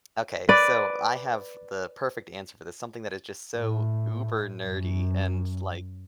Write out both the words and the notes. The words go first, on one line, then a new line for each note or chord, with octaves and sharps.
Okay, so I have the perfect answer for this, something that is just so uber nerdy and it's like,
B4 D5
A2
F#2